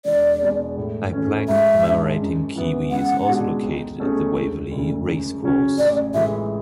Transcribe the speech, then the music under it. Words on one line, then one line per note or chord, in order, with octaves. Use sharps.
A plaque commemorating Kiwi is also located at the Waverley Racecourse.
E1 D5
E2 B2 G#3
A2
E3 A3 C#4
G#2 E5
G#3 D4
F#2
E3 B3
C#2 F#5
B2 G#3 D4 F#4
B1
B2 A3 C#4 G#4
E1
D2 C#3
F#2
C#3 F#3 C#4
A1 D5
A2 E3 G#3 E5